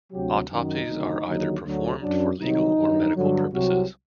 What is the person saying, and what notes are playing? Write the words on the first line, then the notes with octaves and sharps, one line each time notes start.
Autopsies are either performed for legal or medical purposes.
D2 C3 F#3 G4
F#2 D#3 F#3 D#4
D2 C3 D#3 F#3
D#2 D3 F#3
D2 D3 F#3
F#2 F#3 D4
C2 C3 D#3 F#3 D#4
G2 D#3 F#3
G2 D3 F#3
C2 C3 F#3 F#4